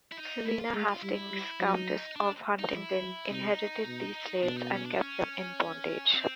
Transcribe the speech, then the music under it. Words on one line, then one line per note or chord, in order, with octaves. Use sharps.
Selina Hastings, Countess of Huntingdon inherited these slaves and kept them in bondage.
E4
D#4
A3 E4
F4
G#3 F4
F4
G3 E4
G3
F#3 D#4
D4
D#4
F3 E4
F#3
C3 D#4
B2
B2 D4
D#4
C#4
D4
C#4
C4